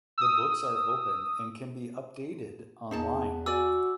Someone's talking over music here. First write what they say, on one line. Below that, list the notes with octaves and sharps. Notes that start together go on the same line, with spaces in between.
The books are open and can be updated online.
D#6 E6
E2 D#4 G#4 A5
F#4 D5 G#5 D6 E6